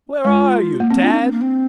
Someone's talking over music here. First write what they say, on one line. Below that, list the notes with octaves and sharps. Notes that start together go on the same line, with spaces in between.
"Where are you, Tad?"
G#3 F4
A#3
C4
D4 F4
D#4
C4
A#3
C4